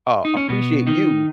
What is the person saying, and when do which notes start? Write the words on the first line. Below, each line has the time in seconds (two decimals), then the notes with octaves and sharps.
uh, appreciate you,
0.25 D#4
0.37 C#4
0.49 B2 B3
0.87 D#3 D#4